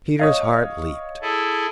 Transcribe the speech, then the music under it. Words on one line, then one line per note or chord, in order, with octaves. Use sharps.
Peter's heart leaped.
C#5 D#5 F5
E4 G#4 A4